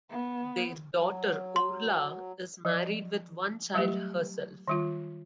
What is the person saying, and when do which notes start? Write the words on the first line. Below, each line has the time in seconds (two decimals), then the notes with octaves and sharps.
Their daughter Orla is married with one child herself.
0.10 B3
0.97 F#3
1.56 C6
2.65 F3 D5
3.74 F#3 G3 A3 G4
4.68 D#3 G3 F4